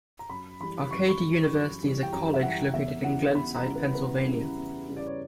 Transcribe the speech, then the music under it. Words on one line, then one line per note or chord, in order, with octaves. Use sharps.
Arcadia University is a college located in Glenside, Pennsylvania.
A#5
F#2 B5
E3 G3 B5
F#2 C#6
C#6
E3 G3
F#2
E3 G3
G5
F#2 A#5
E5
E3 G3 F#5
E2 E5
C#3 G3 C#4 E4 F#5
E2 B5
A#5
C#3 G3 C#4 E4
B4
E2 B4
C#3 G3 C#4 E4
E2
C#3 G3 C#4 E4
D5
C#5